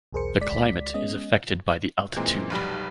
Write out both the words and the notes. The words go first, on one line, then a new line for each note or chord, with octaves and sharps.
The climate is affected by the altitude.
B1 E2 G#4 A#4 C5 C#7
C#2 G#3 D5 B6
G#3 B3 C#4 D#5
A#2 E3 G#3 A#3 C4
F1 B1 G3 B5